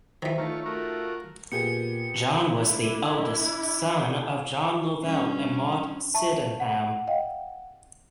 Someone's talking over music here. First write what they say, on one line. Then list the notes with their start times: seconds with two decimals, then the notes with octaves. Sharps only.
John was the eldest son of John Lovel and Maud Sydenham.
0.22 D#3 E3 C5
0.38 A3 D#4 F4 C#5 F5 A#5
0.66 A3 F4 F#4 A#4
1.52 A#2 B3 G4 G#4 C#7
2.36 D4 E4
5.03 G2 C#4
6.15 E5 A5 C#6
6.60 F#5
7.08 D#5 F5 G5